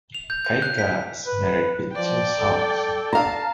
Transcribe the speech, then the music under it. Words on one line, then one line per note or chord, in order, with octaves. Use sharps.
Caica is married with two sons.
F7
G6
G6
F#6
B6
B4
F3 D5 G5
A4
F5 A5 A#5